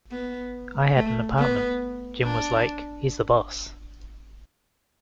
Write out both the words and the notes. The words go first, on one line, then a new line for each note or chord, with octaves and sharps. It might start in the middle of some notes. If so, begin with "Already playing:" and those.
I had an apartment; Jim was, like, "He's the Boss".
B3
A3
B3
D4